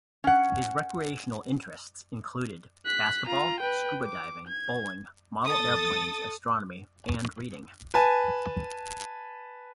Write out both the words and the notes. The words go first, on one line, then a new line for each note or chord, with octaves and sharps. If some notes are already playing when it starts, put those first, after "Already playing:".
His recreational interests include basketball, scuba diving, bowling, model airplanes, astronomy and reading.
C#4 F#5
F#6 B6
F4 A#5
B4 G5
D6
G#6
A4 D#6 A6
B4 G#5 A5